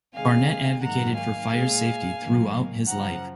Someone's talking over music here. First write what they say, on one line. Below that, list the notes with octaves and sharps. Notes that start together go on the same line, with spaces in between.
Barnett advocated for fire safety throughout his life.
C3 D#3 G#3 F5 G#5
G#2 D#3 F#3 A#3 F#5 A#5
F5 G#5
A#2 G#3
G#2 D#3 F#3 A#3
F#2 C#3 F3 F#5 A#5